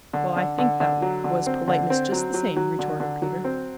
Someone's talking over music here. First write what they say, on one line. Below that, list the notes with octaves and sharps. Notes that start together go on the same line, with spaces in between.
"Well, I think that was politeness just the same," retorted Peter.
D3
D3
D3
D3
F#3
D3
C4
D3
C4
F#3
F#3
F#3
D3
D3
F#3
C4